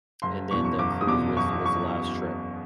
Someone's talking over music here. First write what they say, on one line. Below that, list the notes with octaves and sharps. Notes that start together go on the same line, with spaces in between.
And then the cruise was was the last trip.
F#1 C6
E2 B2 C#6
C#6
F#1 D6
D#6
E2 B2 D6
F#1 C#6
C#6